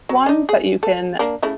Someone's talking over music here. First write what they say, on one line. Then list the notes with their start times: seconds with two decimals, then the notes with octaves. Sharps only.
ones that you can
0.09 F#3
0.26 D4 D#4
0.49 G#4
0.83 A4
1.19 A#3 D4
1.42 C#3 A3 E4